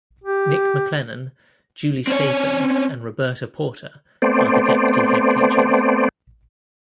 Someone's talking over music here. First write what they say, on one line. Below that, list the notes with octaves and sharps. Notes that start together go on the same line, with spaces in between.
Nick McClellan, Julie Statham and Roberta Porter are the deputy head teachers.
G4
C4 C#4 C#5
A3 B3 C4 C5 D5